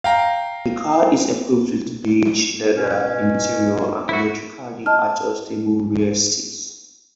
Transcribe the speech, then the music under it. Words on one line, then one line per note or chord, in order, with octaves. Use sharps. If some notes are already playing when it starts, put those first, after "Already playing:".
The car is equipped with beige leather interior and electrically adjustable rear seats.
F5 G5 A#5
B2 C#4
E4 F#4
D#5 A5 F6